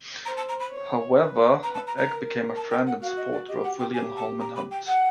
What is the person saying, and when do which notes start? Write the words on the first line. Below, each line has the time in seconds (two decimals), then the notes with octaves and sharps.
However Egg became a friend and supporter of William Holman Hunt.
0.25 C5 A#5
0.37 A5
0.48 A#5
0.60 B5
0.71 C#5
1.17 B4
1.63 B4 A#5
1.74 A5
1.87 A#5
1.97 A#5
2.09 A#4
2.56 A5
2.71 G5
2.87 F#5
3.02 F#4 F5
3.17 D#5
3.32 D5
3.48 G4 D#5
3.64 F#5
3.79 G5
3.94 G4 G#5
4.16 A5
4.40 A#5
4.56 B5
4.71 G5
4.87 F#5